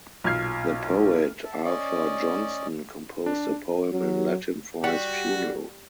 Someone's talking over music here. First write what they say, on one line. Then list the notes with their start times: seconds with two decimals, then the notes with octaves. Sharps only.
The poet Arthur Johnston composed a poem in Latin for his funeral.
0.24 B1 A#2 F6 G#6 C7
1.45 E5 A5
1.64 C#4 D5 D#5
3.26 D4
3.92 F#3
4.84 G3 F#4 F#5